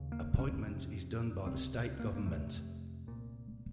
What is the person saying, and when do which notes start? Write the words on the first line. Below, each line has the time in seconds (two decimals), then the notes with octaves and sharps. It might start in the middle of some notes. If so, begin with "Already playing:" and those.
Appointment is done by the State Government.
Already playing: D#2 C#3
0.12 A#3
0.39 C#4
0.66 F2 C3
1.46 C#2 C3 C4
2.00 A#3
2.15 A#3
2.25 F2 C3 A3
3.07 C2 A#2